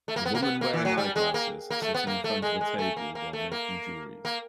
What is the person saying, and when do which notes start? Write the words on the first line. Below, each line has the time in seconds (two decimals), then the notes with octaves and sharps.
A woman wearing eyeglasses, sitting in front of the table while making jewelries.
0.08 A3
0.16 A#3
0.25 B3
0.35 A#3
0.42 B3
0.61 A#3
0.73 E3
0.85 F#3
0.97 G3
1.16 G#3
1.34 A#3
1.70 A#3
1.82 A3
1.94 B3
2.07 A#3
2.24 A3
2.42 G#3
2.61 G#3
2.78 A3
2.97 A#3
3.15 A#3
3.33 A3
3.52 A#3
4.25 A#3